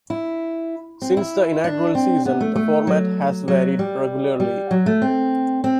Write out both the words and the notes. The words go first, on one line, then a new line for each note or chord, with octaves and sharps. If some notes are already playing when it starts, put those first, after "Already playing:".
Since the inaugural season, the format has varied regularly.
E4
C4
E4
D4
C4
B3
A3
A3
F#3
F#3
G3
G3
F#3
A3
C4
C4